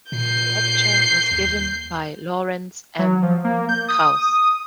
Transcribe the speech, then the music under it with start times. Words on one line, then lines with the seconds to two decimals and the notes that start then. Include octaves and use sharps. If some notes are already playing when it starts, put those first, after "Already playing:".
The lecture was given by Lawrence M. Krauss.
0.12 A#2 G6 C7
1.31 D#2
2.99 F#3
3.23 F3
3.44 A#3
3.69 G6
3.88 D#6